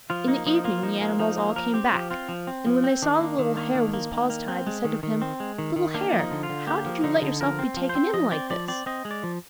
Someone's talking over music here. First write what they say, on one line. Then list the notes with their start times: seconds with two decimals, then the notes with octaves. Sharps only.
In the evening the animals all came back; and when they saw the little hare with his paws tied, they said to him: 'Little hare, how did you let yourself be taken in like this?
0.10 F3 F4
0.28 A#3 D#4
0.46 F3 D#4
0.64 A#3 F4
0.83 F3 D#4
1.01 A#3
1.19 F3 D#4
1.38 A#3
1.56 F3 A#4
1.74 C4 G4
1.93 F3 G4
2.11 C4 F4
2.29 F3
2.47 C4
2.66 F3
2.84 C4
3.02 D#3 D4
3.20 A#3
3.39 D#3
3.57 A#3
3.75 D#3
3.94 A#3
4.12 D#3
4.30 A#3
4.48 C4
4.67 G#3
4.84 D#3
5.03 D#3
5.22 C4
5.40 G#3
5.58 D#3
5.76 D#3
5.94 A#3 D4
6.13 F3
6.19 D#4
6.31 D3
6.43 F4
6.49 D3
6.67 A#3 G4
6.86 F3
7.04 D3 D#4
7.22 D3
7.41 F3 A#4
7.59 C4
7.77 F3
7.89 C5
7.95 C4
8.14 F3 D#5
8.31 C4 D5
8.50 F3 D5
8.68 C4 D5
8.86 C4 D#5
9.05 G#3
9.11 D5
9.23 F3